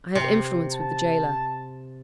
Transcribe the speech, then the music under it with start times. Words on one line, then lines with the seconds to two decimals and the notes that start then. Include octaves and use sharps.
I have influence with the gaoler.
0.15 C3
0.73 A5